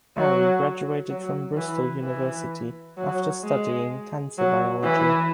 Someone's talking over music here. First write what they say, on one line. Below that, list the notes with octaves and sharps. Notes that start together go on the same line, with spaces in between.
Aryee graduated from Bristol University after studying cancer biology.
F#3
F#3
E3
E3
F#3
G#3
F#3
E3